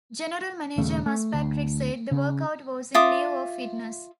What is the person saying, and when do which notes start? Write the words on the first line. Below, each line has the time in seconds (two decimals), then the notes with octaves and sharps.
General manager Muzz Patrick said the workout was in lieu of fines.
0.78 D#1 D#2 C#3 A3
1.06 A3
1.34 D2
2.11 C#3
2.94 F4 E5 D6 D#6